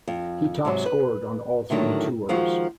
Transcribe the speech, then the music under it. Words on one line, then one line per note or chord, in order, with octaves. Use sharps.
He top-scored on all three tours.
F2
G#2 C3 F#3
B4
A2 D3 D#3 F#3 G3
D#3 F3 G#3 F4 F#4